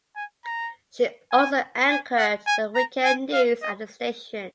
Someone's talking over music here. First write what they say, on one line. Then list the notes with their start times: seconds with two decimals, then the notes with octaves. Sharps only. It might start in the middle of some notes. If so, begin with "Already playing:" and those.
She also anchored the weekend news at the station.
0.16 G#5
0.45 A#5
1.32 G#5
1.90 G#5
2.18 F#5
2.47 G#5
2.75 A#5
3.04 G#5
3.33 F5
3.62 D#5